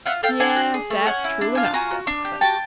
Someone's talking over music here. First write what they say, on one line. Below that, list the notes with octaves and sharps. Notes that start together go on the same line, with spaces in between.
"Yes, that's true enough," said Puffin.
F4 E5 F#5
A4 F5 G5
D4 F#5 G#5
F#4
G#4
A3
C#4 F#5 G#5
E4
D4
F4 G#5
A5
F#4 G#5 A#5
F#4
D4
G4
F#4 G5 A5